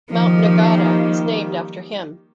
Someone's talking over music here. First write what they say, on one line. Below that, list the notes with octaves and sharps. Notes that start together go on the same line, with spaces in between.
Mount Nagata is named after him.
D#3 F3 G3 A#3 D#4 G4